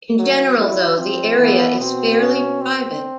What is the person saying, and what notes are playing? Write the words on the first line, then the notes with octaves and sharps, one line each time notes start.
In general, though, the area is fairly private.
F#3
F#3 E4
F3 C4
E3 B3
B2 C4
C#4
C4